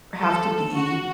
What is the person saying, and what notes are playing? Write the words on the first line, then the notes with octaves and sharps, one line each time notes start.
have to be
A4
F#4